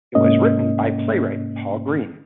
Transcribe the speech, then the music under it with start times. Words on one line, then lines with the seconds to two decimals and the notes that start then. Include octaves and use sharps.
It was written by playwright Paul Green.
0.15 G#2 C3 A#3 C#4 D#5